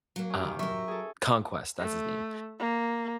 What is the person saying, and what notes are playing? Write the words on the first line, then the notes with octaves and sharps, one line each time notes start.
Um, Conquest, that's his name.
F#3 A#3
C#4 G4
D#3
F#3 A#4 E5 C#6
G#4 A4
A3
A#3